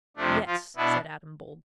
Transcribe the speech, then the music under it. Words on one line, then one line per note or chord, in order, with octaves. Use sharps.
"Yes," said Adam boldly.
F2 C3 F3 A3 D4
F3 F4
B2 B3 D4 E4